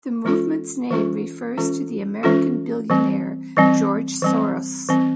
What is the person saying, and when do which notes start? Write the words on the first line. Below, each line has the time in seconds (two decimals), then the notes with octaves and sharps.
The movement's name refers to the American billionaire George Soros.
0.25 E3 G#3 C#4 F4 A4
0.91 E3 G#3 C#4 F4 A4
1.57 E3 G#3 C#4 F4 A4
2.23 E3 G#3 C#4 F4 A4
2.90 E3 G3 C4
3.57 E3 G3 C4
4.22 E3 G3 C4
4.89 E3 G3 C4